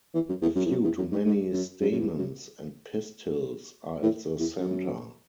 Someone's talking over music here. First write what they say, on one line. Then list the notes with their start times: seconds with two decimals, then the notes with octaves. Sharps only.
A few to many stamens and pistils are at the center.
0.14 E3
0.28 F#2
0.42 E2
0.55 F#2
0.65 E2
0.70 F#2
0.84 E2
0.97 F#2
1.11 G#2
1.25 G#2
1.53 F#2
1.80 F#2
1.92 F#2
1.99 E2
2.18 F#2
4.02 A2
4.39 E2
4.58 F#2